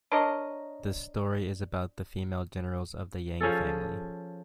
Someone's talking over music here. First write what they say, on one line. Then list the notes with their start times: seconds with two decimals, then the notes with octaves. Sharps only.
The story is about the female generals of the Yang Family.
0.12 D4 A#4 C#5 D#5
3.41 F3 C#4 G#4 A4